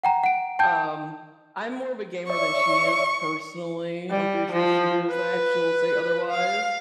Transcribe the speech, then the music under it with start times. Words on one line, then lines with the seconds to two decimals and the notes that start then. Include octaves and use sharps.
Um, I'm more of a gamer than she is personally, I'm pretty sure if she hears that, she'll say otherwise.
0.04 F#5 G5 A#5
0.24 F#5 D7
0.59 G5 A5 G6
2.30 C#5 D5 E5 C#6
4.10 G3
4.52 F3
5.11 B4
6.31 F5